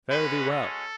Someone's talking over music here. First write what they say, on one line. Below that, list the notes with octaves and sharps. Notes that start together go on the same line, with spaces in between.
Fare thee well!'
G#3 C#4 F#4 B4
A4